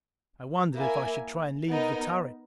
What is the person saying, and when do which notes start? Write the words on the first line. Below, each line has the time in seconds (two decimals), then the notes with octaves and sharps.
I wondered if I should try and leave the turret.
0.75 A#3 E4 A#4 E5 G#5
1.70 B3 D#4 A#4 D#5